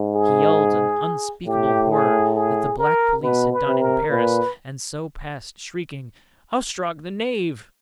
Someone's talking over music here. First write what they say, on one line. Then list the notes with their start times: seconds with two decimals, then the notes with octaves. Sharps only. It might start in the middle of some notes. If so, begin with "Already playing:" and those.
He yelled an unspeakable horror that the Black Police had done in Paris, and so passed shrieking, "Ostrog the Knave!"
Already playing: G#2
0.16 G#4
1.47 A2 G4
1.91 G#4
2.35 G#4
2.78 A#4
3.23 B2 B4
3.53 B4
3.67 C3
3.81 A#4
4.10 A#2 B4